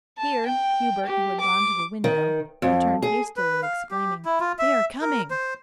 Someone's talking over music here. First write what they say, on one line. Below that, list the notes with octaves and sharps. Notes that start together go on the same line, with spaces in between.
Here Hubert, who had gone to the window, returned hastily, exclaiming, "They are coming!"
A5
G5
G4
D6
D#3
F2
G#4
B4
F5
G4
E4
F4
E5
A#4
C5